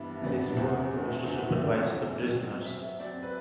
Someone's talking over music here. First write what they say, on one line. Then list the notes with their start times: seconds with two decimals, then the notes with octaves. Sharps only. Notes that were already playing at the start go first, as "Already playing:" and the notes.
His work was to supervise the prisoners.
Already playing: G2 E3 G3 B3 D4 E4
0.22 E3 G3 B3
0.41 D4
0.49 E4
0.56 E2 F#4
0.91 D3 A3 C4
1.26 E2 F#4
1.37 E4
1.48 F#4
1.61 D3 A3 C4
1.96 F#2
2.30 F#3 C4
2.65 F#2 E5
3.00 F#3 C4 D5
3.23 B4